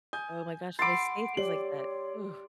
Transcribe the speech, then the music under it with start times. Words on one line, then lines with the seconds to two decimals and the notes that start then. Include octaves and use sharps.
Oh my gosh, when they say things like that, ooh.
0.13 G#5 D#6 G6
0.79 F#5 B5 C6 D6 E6 A6
1.37 G4 C#5 D5 F#7